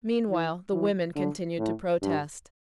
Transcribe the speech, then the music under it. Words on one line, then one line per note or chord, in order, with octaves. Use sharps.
Meanwhile the women continued to protest.
E3
E3
D3
A2
G2